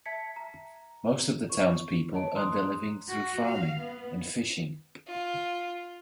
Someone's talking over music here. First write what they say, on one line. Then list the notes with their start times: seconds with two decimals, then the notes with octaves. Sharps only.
Most of the town's people earned their living through farming and fishing.
0.05 E5 A5 G#6 B6 C#7
0.36 A#5
1.50 C#6
2.13 C#5 D#5 A5 D7
2.35 A#5 C6 D#6 F#6
3.09 F#4
3.45 F5
3.81 B3
5.07 F4